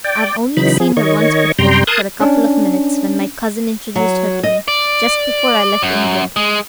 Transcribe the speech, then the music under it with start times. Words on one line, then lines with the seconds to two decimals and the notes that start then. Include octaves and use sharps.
I have only seen her once before, for a couple of minutes, when my cousin introduced her to me, just before I left England.
0.04 D5 G5
0.57 C#3 E3 F#3 D#4 B5
0.80 F3 G#4
0.97 D#3 C#5 D#5 C#6
1.59 F#2 C3 G3 G5 A#5 C6
1.87 A#4 A5 C6 D#6 F#6 G#6
2.21 C#4 D4
3.96 F#3
4.43 D#5
4.68 D5
5.83 F#2
6.36 G#3